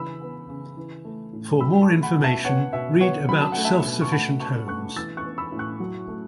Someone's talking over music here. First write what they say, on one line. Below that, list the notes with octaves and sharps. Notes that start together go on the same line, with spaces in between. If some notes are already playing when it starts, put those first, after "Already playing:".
For more information, read about self-sufficient homes.
Already playing: C#3 E3 B5 E6
B3
C#3
E3
A3
A2
F#3 B5 E6
A5 C#6
A3
F#5 B5
B2
E5 A5
B3 C#5 F#5
B2 E5
B3 C#5 F#5
F#3 B5
A5
A3 F#5
E5 A5
B2
C#6
A3 F#5 B5
B2 A5 C#6
A3 C#6 F#6
E3 E6 A6
C#6 F#6
B3
B5 E6
A2
C#6 F#6
F#3
A3